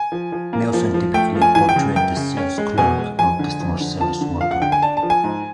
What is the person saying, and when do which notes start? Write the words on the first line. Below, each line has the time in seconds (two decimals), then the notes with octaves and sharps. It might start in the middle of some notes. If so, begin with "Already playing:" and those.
Nelson typically portrayed a sales clerk or customer service worker.
Already playing: G#5
0.12 F3
0.32 F3
0.53 A#3
0.73 F3
0.94 F3
1.14 A3 G5
1.35 F3
1.42 G#5
1.55 E3 G#5
1.69 G5
1.76 C#3
1.96 F#2 G5
2.17 C#3
2.37 C#4
2.58 G#3
2.78 B2 G#5
2.98 G#3
3.18 F2 G#5
3.39 D3
3.60 F2
3.80 D3
4.01 F3 A5
4.21 D3
4.41 F3 F5
4.51 F#5
4.62 D3 G5
4.72 G#5
4.82 D4 A5
4.97 A5
5.03 F3
5.10 G#5
5.24 G#2